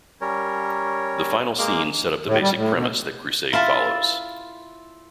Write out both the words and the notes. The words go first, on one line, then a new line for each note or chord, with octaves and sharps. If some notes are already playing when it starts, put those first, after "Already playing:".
The final scenes set up the basic premise that "Crusade" follows.
G3 C#4 A#4 C#5
G#3 A#3 F5 D6
A2
G3
A2
B2
E4 F4 E5 A5